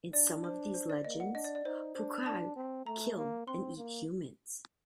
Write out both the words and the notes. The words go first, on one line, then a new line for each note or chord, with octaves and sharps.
In some of these legends pouakai kill and eat humans.
D4 D5
C5
C5
D5
A#3 D#5
F#5
D4 D#5
D5
D5
D#4 C5
D4 C5
D4 A5
C4
A3 A#5
A#3
C4 C6
A#3